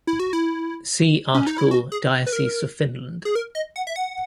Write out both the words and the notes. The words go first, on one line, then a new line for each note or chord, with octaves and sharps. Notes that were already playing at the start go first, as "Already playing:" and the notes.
See article Diocese of Finland.
E4
F#4
E4
C#4
D#4
E4
F#4
G#4
B4
A#4
G#4
A#4
D#5
F#5
E5
F#5